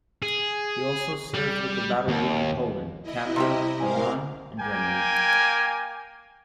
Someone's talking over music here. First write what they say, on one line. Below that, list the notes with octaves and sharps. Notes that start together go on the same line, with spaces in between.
He also served with the Battle Group in Poland, Canada, Oman and Germany.
G#4
G3
D#2
E4 D#5
C3 G3 G4
A#4 C5 F5 G#5
A#3 G5 G#5